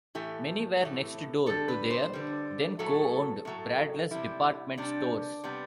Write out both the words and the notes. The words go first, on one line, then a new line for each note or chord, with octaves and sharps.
Many were next door to their then-co-owned Bradlees Department stores.
A2 E3 A3 G4
A2 E3 A3
D3 G3 A4
B4
C5
D3 G3
A2 F#3 A3 A4
A2 F#3 A3
C3 G3 E4
C3 G3 D4
C3 G3 B3